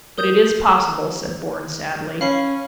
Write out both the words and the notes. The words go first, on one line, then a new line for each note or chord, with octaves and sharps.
"But it is possible," said Bourne sadly.
A#4 D#6 G6
C#4 F5 B5 C7